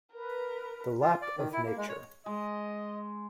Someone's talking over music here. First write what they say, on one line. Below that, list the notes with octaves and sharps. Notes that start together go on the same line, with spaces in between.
The lap of Nature!
A#4 B4
F4
D5
D#3
E4
A#3
G#3
C#5
G#3 D#5